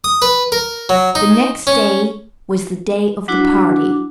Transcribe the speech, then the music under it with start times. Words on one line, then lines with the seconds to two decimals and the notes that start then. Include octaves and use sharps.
The next day was the day of the party.
0.04 D#6
0.22 B4
0.52 A#4
0.89 F#3
1.15 D#4
1.67 C#4
3.28 F#3 D4 E4 F#4 D6